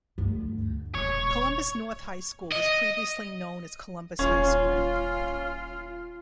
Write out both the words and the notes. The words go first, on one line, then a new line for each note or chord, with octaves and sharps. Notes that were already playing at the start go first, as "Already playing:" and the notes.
Columbus North High School was previously known as Columbus High School.
D2 G2
D#1 C#5
D#5
D#1 C#4 F4 F5